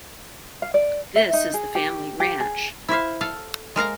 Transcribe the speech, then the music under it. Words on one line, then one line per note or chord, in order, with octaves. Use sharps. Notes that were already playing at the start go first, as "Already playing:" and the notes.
This is the family ranch.
F5
D5
E5
D#4
G#4
G4
G4
G#4
E4 C5 E5 F5
A4 F5
G#3 A#4 F5 A#5